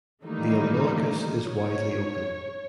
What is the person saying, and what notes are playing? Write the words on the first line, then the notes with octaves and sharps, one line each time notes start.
The umbilicus is widely open.
D#3 E3 G3 A3 A#3 D#4
C#5